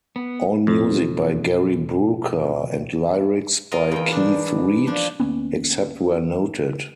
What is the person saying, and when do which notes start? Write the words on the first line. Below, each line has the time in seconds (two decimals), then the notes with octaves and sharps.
All music by Gary Brooker and lyrics by Keith Reid, except where noted.
0.16 B3
0.67 F2 B2
3.71 F4 A#4 D#5
3.92 E2 G5
4.12 D4
4.87 F3 D4
5.20 D2 A#3 B3 C#4